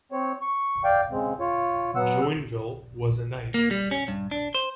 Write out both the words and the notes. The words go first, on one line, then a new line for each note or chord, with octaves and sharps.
Joinville was a knight.
C4 C#5
C#6
D5 F5 G5
C#3 G#3 C4
F4 C#5
F#3 B3 F#5 E6
A#3
G3
C#4
G2
D4
C5